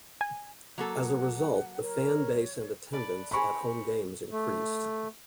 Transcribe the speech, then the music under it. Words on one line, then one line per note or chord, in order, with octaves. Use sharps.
As a result, the fan base and attendance at home games increased.
G#5
F#3 A#3 A4 F#5
A#4 C#5
B4 D5 A5
G#4 A#4 C5 B5 C#6
A3